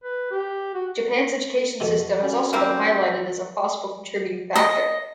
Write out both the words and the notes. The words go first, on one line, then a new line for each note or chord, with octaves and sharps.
Japan's education system has also been highlighted as a possible contributing factor.
B4
G4
F#4
F2 B2 D#3 F#4 A4
B3 C#4
G3 A#3 C4
D#5